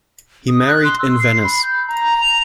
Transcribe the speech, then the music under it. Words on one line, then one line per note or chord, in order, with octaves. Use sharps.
He married in Venice.
D#6
F#6
C6
E6
C7
B5
G6
A#5
F7